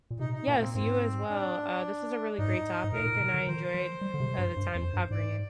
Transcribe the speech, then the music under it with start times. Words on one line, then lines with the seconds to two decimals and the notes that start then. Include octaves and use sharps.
Yes, you as well. Uh, this is a really great topic, and I enjoyed, uh, the time covering it.
0.10 A#2
0.19 C3 D#4
0.33 D#4
0.48 A#2 A#3
0.61 C4
0.74 G#2 C4
1.30 D4
2.38 G#2 D#4
2.84 G#2
2.92 A#2 A#4
3.06 A#2
3.20 C3
3.34 D3
3.47 D#3 C5
3.74 F3
4.01 G3
4.14 D3
4.20 C3
4.38 G2
4.57 G2
4.75 F2
4.93 G2
5.11 G#2 D5